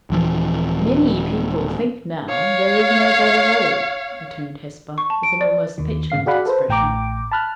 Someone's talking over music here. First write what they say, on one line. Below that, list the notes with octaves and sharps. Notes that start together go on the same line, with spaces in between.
"Many people think now there is no God at all," returned Hesper, with an almost petulant expression.
D#1 E3 F3
C#5 F5
C#6
A5
D7
D5
D#2 D#3
G#2 C#3 F5 C7
F#4 G#4 D5 F5 F#5 B5
A4 B4 C5
A1 A2 G5 A#5 D6
A5 B5 F6 F#6